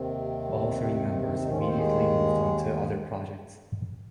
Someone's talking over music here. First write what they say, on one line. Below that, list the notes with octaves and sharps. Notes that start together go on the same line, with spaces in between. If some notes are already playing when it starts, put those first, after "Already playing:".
All three members immediately moved on to other projects.
Already playing: D#2 C3 D#3 C4
D#2 D#3 D#4
C#3 C#4
F3 F4
C4 C5
G#3 G#4